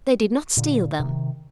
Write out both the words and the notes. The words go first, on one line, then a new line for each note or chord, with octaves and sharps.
They did not steal them.
A#2 D3
C3 D#3